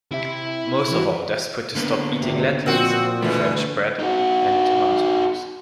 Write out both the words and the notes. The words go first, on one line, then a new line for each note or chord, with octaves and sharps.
Most of all desperate to stop eating lentils, French bread and tomatoes.
C3 E4 E5
E3 F#4
D3 A#3 B3
G#1 D2 C3
A#2 F3 C4 F#4
B2 D3 E3 A3
D#4 F#4